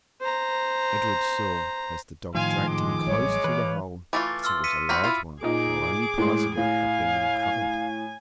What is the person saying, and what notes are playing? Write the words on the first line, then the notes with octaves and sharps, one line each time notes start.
Edred saw, as the dog dragged him close to the hole, that it was a large one, though only part of it had been uncovered.
C5 A#5
A2 D#3 F3 F5 G#5 C6
G#3 D6
A1 F#3 G3 C#5
E3 B4 F5
E3 A3 F4 D6 A6
C6 E6 F6
B6 C#7 D#7
A#3 C4 F#4 B5 F6 B6
E4 F4 F5
A#2 D#4 G#4 D6
A2 G#3 C6
A2 F5 G#5